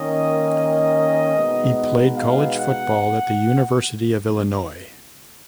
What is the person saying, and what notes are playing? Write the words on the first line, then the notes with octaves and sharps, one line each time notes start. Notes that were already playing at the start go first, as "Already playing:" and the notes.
He played college football at the University of Illinois.
Already playing: D#3 A#3 C#4 D#5
B2 G#3 B3 D#4
F5
F#5